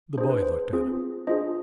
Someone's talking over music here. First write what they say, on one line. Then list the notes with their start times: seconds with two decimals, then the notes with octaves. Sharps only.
The boy looked at him.
0.18 D4 G#4 C5
0.29 B4
0.42 C5
0.73 C4 F4 G#4
1.27 D4 F4 G#4 C5 D#5